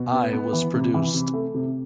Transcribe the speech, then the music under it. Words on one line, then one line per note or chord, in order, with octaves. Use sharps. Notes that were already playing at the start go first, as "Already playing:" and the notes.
Eye was produced.
Already playing: B2
B3
B3
E3
C3
E3
C3
A3
C3